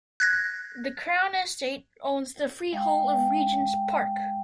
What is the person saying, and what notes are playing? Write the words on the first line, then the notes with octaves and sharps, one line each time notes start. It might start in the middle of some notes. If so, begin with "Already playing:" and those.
The Crown Estate owns the freehold of Regent's Park.
F#6 G#6 A#6
G#3 F5 G5